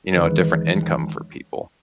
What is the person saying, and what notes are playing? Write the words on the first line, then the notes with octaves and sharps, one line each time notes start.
you know, a different income for people.
E1 E2 D#3 B4